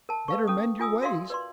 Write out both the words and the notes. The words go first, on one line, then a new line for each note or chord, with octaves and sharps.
Better mend your ways.
A#4 A5
B4 F5 C#6
C#4 A4 D#6
F4 G#5 D#6 E6
F#4 A#4 D5 E5 F5 C6
B4 D5 C6